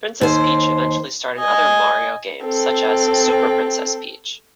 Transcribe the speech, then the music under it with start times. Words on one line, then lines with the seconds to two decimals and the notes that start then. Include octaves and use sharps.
Princess Peach eventually starred in other "Mario" games such as "Super Princess Peach".
0.21 D#2 C5
1.37 D#5 G#5
2.45 C4 A4